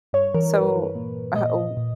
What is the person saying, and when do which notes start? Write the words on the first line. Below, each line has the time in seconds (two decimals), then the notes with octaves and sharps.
so, uh oh,
0.13 G2 C#5
0.34 E3 A#4
0.54 G2 B4
0.75 E3
0.95 A#2
1.36 A#2 D#5
1.77 A#2